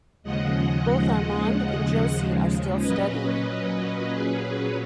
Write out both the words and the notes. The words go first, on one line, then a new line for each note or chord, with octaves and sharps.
Both Armand and Josie are still studying.
D#2 C#3 F3 G#3 D#5 F#5
D#5 F#5
A#2 F#3 C#4 B4 D#5
G#4 B4